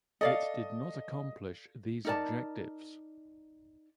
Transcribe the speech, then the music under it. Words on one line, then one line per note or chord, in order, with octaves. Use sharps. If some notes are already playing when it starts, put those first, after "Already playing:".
It did not accomplish these objectives.
A4 D5 D#5 F5
D#4 A#4 D5 A5